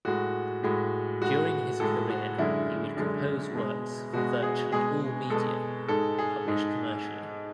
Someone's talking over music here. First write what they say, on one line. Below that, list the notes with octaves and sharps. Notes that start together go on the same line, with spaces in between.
During his career he would compose works for virtually all media and publish commercially.
A2 G#3 F#4
A2 G#3 F#4
A2 G#3 F#4
A2 G#3 A4
F#4
F#2 D3 G#3 E4
F#2 D3 G#3
B2 G#3
B2 G#3 F#4
G#4
B2 G#3 G#4
B2 G#3 A4
G#2 G#3 A4
G#4
G#2 G#3